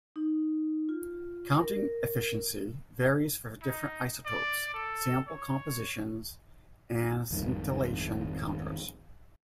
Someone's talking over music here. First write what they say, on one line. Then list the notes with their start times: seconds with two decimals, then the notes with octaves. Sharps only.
Counting efficiency varies for different isotopes, sample compositions and scintillation counters.
0.16 D#4
0.89 F4
1.60 A#4
3.62 D#4
4.25 D5
4.74 A4
5.27 C#5
7.31 G#1 F2 D#3 G3